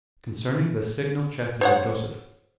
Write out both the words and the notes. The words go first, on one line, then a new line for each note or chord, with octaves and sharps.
Concerning The Signal Chastity Of Joseph.
C5 C#5 F#5